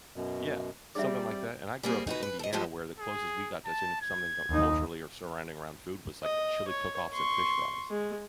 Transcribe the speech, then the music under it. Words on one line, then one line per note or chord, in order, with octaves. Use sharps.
Yeah, something like that, and I grew up in Indiana where the closest we got to seeing something cu culturally or surrounding around food was, like, chili cook-offs and fish fries.
F#2 B2
G3 C4 G#4 D5 E5
G3 A#3 C4 G#4
D#4 F#4 B4
B4
A4 D#5
B2 F3 G#3 B3 G4 A4
G#4
A5
G#6
D#2 D#4
D#5
C#5
C6 C#6
G#3